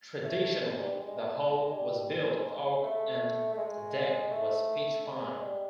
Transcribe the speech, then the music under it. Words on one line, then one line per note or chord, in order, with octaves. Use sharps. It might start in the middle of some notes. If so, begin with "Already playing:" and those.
Traditionally, the hull was built of oak and the deck was pitch pine.
A3
G#3
G3
G#3
A3
G#3
G3
G#3
A3
A3
G#3
A3
G#3
G3